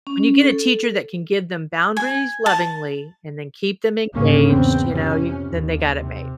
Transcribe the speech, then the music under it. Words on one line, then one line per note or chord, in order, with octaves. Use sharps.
when you get a teacher that can give them boundaries lovingly and then keep them engaged, you know, you then they got it made.
C#4
A4
G#5
A5
G1 G#2 C#3 A#3 C#4
E2 B3 C4
F2 C3 C#4
D#2
C3